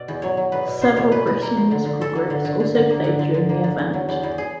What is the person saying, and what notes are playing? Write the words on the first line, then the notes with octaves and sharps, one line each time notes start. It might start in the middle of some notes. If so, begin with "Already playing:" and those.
Several Christian musical groups also played during the event.
Already playing: B2 D5
E2
F#3 C#5
F#3
E2 B4
B2
B2 C5
E2 C#5
E2 B4
E2 B4
A#3 A#4
F3
D3
D3
D3 A4
A#3
D3
D3
D3
D3
A#3
D3
D3
D3
A#3
D3
E2
F#3
E2
E2
G#4